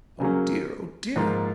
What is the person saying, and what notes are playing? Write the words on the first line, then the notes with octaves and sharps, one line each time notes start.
Oh, dear, oh, dear!
C#3 F#3 A#3 C#4
G#2 F3 A#3 F4